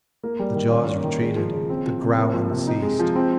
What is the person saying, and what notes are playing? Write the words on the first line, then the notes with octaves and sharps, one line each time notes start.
The jaws retreated, the growling ceased.
A#3
G3
D#3
C#4
A#3
D#3
G#3
F3
C#3
C4
F3
C3
A#3
F3
C3
D#4
G#3
F3
C4